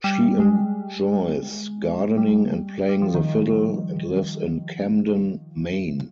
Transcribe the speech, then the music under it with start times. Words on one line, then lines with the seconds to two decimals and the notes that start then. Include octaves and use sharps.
She enjoys gardening and playing the fiddle, and lives in Camden, Maine.
0.04 G3
0.40 G#3
2.18 G3
2.89 G3
3.02 F3
3.14 D#3